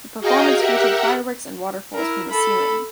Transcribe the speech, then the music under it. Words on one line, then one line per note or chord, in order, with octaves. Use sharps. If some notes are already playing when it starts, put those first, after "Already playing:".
The performance featured fireworks and waterfalls from the ceiling.
F#4 G#4 D#5 F5 G5 A#5
G4 A#4 E5 F#5
E4 A#4
A4 B5